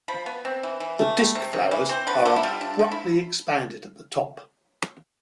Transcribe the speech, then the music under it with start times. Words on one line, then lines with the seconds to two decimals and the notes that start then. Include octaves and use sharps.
The disk flowers are abruptly expanded at the top.
0.08 F3 B5
0.26 B3
0.45 C4
0.63 E3
0.80 E3
0.99 A3
1.17 G3
1.35 C3
1.53 C3
1.71 E3
1.89 C4 C5
2.07 D3 B4
2.25 D3 A4
2.36 E4
2.43 G3 F4
2.61 D4
2.79 D3
2.92 E4